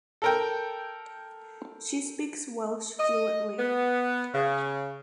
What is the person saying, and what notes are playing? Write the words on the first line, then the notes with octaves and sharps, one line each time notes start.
She speaks Welsh fluently.
A4 A#4 G5
D#5
B3
C#3